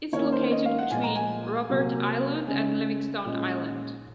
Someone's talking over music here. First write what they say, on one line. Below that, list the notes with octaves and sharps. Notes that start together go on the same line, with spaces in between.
It’s located between Robert Island and Livingston Island.
D#3 A#3 C#4 C#5
C5
D#5
F5
F#5
A#2 F3 G#3 G#5
A#5
G#5
C3 F#3 A#3
C#3 G#3 C#4 G#5
A#2 G#3 C#4